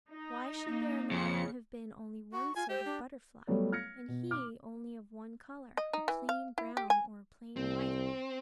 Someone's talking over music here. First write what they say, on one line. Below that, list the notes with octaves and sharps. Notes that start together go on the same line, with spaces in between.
Why should there not have been only one sort of butterfly, and he only of one colour, a plain brown, or a plain white?
D#4
A#3
F2 C#3 C#7
F#4 C#6
F4 G#5
G4 C5
D4
F#3 G3 A3 B3 C#5
F6 G#6 A#6 C#7
B2
D6 F6
D#5
D#4
E3
F5
E4
G4
G#5
C2 C4